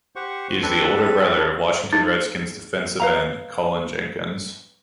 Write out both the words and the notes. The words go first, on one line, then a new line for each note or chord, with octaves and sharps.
He is the older brother of Washington Redskins defensive end, Cullen Jenkins.
G4 C5 F#5 C#6
C4 D4 A4 B4
D#4
B4 F5 A#5